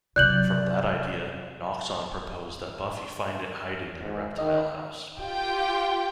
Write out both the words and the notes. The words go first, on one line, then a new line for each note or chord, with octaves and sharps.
From that idea, Noxon proposed that Buffy find it hiding in a reptile house.
C3 F#3 D5 F#6 G6 F#7
G#2
D#3 D#5
F4 G4 G5